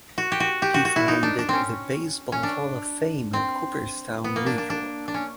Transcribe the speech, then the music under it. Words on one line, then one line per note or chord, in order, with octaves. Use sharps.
He founded the Baseball Hall of Fame in Cooperstown, New York.
F#4
G4
F#4
G4
F#4
F#4
E4
D#4
D4
D4
C4 C#4
C#4
D4
C4
B3
A#3
D4
D4
D4
D4
C#4